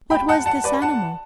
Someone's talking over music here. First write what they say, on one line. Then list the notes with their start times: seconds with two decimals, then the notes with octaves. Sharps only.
What was this animal?
0.10 G5 B5
0.29 F#5 A5
0.46 F#5 A5
0.64 B4 D5
0.82 F#5 A5